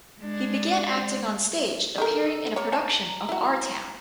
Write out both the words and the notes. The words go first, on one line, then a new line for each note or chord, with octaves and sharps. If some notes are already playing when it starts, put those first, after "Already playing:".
He began acting on stage, appearing in a production of "Our Town".
G#3 D4
D#3 G#3 A4 A#4
A#3 C#5 A#5
A5
E4 F#4